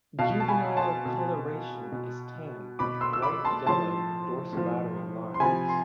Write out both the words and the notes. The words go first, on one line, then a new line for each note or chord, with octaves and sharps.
Juvenile coloration is tan with bright yellow dorsolateral lines.
B2 F5 A5
A5
G#5 B5
A5 C6
B2
B2
B2 B5 D6
C6 E6
E6
B5 D6
A5 C6
A2 F3 A5 C6
A2 F3
C6
C3 F3 G#5 B5
C6